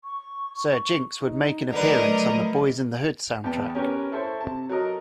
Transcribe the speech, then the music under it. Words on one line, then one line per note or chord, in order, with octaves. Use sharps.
Sir Jinx would make an appearance on the Boyz n the Hood soundtrack.
C#6
D#4
D3 F#3 A3 A#4 B4 D5 D#5
E2 B3 G5 A5
C#4 G4 A#4 B4 C#5
E4 A4 C5 C#5
C3 A5
F#3 A4 A#4 D#5